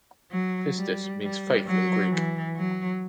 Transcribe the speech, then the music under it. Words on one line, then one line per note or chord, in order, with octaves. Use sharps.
Pistis means "faith" in Greek.
F#3
G3
G3
F#3
E3
F#3